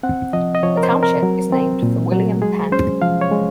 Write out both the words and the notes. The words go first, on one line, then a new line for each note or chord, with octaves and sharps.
The township is named for William Penn.
C4 F#5
F3 D#5
D#5
F3 C#5
A#4
C5
C4
A#4
F#3
C4
A#2
F#3
G#3 G#4
C#4 C5
F3 F5
C#5
G#3